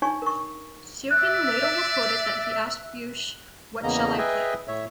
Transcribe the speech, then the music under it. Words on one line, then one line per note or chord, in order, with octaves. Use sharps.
Serkin later reported that he asked Busch, What shall I play?
D4 D#4 C#5 G#5 C#6
A#4 C#6
D5 E5 F#6
E2 C#3 A#3 B3 D#5 A#5
G#4 B4 D#5 E5 G5 G#5
A2 C#5 E5